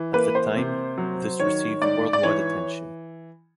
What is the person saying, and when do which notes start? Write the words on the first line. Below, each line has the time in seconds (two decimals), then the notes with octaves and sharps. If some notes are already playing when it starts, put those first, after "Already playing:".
At the time, this received worldwide attention.
Already playing: E3
0.14 A#3 B4
0.35 C5
0.56 C3
0.98 F#3
1.40 D#3 C#5
1.82 G#2 D5
2.13 D5
2.23 E3 C#5